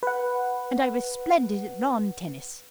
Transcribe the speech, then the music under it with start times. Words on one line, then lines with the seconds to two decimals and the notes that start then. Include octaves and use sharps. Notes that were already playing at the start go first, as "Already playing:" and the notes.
"And I was splendid at lawn tennis."
0.03 B4 F#5